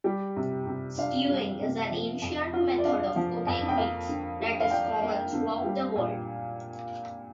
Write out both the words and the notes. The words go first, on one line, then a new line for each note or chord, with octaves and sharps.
Stewing is an ancient method of cooking meats that is common throughout the world.
G3 G4
C3
C3
D4 F5
G3
C3
F3
F2
F4
D5
D4 F5
F3
F2
G5
A#3 F5
D3
G4
F5
D4 G5
A#3
D3
G3
A#2